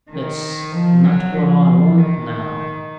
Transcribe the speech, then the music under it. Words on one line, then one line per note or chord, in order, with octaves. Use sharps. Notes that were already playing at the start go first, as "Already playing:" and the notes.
That's not what I want now.
D#3
F3
F#3
F3
D#3